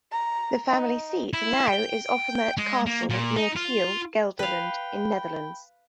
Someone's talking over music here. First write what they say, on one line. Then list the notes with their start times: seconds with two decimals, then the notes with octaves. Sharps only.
The family seat now is Ophemert Castle, near Tiel, Gelderland, in Netherlands.
0.12 A#5
0.68 D#4
1.33 E4
1.68 G5
2.57 G#3
2.86 A#3
3.10 A#2
3.37 D#4
3.56 F4
4.39 B4 F5 G5 B5